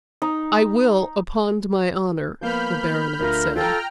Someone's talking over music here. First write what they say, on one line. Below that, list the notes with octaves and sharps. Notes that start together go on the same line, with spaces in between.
"I will, upon my honour," the Baronet said.
D#4
F3 A#3 B3 B5 F6 G6
D2 D3 F4 A#4
F4 A4 G5 A#5 F6